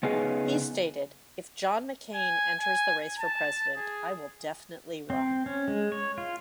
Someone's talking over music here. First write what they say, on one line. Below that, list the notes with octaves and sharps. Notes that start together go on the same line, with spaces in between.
He stated If John McCain enters the race for president I will definitely run.
C#3 B3 D#4 G#4
G#5
G#5
A5
G#4
C4
C#4
G#3
C#5
F4